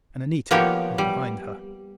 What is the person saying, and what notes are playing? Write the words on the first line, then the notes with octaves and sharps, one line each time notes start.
And Anita was behind her.
F3 A#3 B3 F#4 G4 C#5
G3